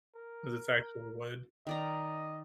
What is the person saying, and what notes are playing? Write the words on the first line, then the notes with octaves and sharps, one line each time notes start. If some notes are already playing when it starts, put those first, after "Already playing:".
'cause it's actually wood.
A#4
D#3 D5 D#5 A#5